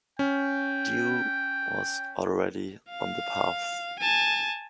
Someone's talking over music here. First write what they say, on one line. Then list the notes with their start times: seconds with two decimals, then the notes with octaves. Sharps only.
Dew was already on the paths.
0.19 C#4 G5
2.90 F5
4.00 G#5 A5